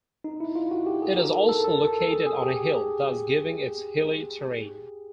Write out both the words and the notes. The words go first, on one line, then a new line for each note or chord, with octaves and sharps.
It is also located on a hill thus giving its hilly terrain.
D#4
E4
F4
F#4
G4
G#4
A#4
A4
A4
A4
A4
G#4
G#4
G4